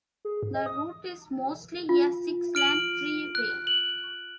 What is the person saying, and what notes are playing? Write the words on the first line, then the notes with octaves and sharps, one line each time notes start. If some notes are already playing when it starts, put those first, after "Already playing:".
The route is mostly a six-lane freeway.
G#4
G#2
D#5
D#6
F4
F6 D7 F#7
F#6
F#7